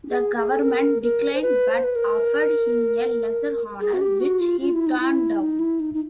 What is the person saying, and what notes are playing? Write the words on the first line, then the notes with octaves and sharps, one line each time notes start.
The government declined but offered him a lesser honour, which he turned down.
G#4
G#4
A4
A#4
A#4
C5
B4
C5
B4
A#4
G#4
F#4
G4
F#4
F4
F4
E4
D#4
E4
D#4
E4
D#4
D#4